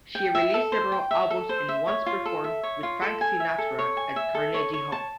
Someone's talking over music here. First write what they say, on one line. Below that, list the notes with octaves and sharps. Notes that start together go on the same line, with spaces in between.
She released several albums and once performed with Frank Sinatra at Carnegie Hall.
G5
E5
A4
C5
G5
E5
A4
C5
E5
C#5
F4
A4
E5
C#5
F4
A4
G#5
E5
A4
C#5
G#5
E5
A4
C#5
C#5
A5